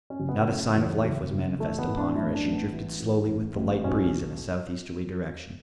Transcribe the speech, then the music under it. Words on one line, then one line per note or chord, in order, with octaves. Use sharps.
Not a sign of life was manifest upon her as she drifted slowly with the light breeze in a southeasterly direction.
C#4
F#1
B3
C#3 A3
E2
F#1
F#1
E3 A3
B3
A2
D4
A1 E4
D4
A1
B3
E3
A2
A1
A1
B1 C#4